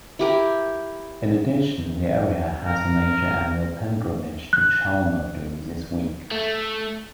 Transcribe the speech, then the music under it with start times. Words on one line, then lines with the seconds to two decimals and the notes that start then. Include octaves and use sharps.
In addition, the area has a major annual pilgrimage to Chalma during this week.
0.19 E4 G4 A#4
2.66 A#4
4.53 F#6
6.31 A3